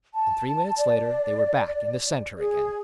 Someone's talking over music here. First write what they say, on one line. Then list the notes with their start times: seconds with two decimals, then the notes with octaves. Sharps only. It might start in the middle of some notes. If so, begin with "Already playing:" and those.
And three minutes later they were back in the centre again.
0.14 A5
0.77 D5
2.37 G#4